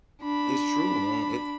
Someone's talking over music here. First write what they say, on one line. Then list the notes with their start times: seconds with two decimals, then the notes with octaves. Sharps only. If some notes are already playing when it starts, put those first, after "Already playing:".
It's true, man, it's
0.22 D4 B5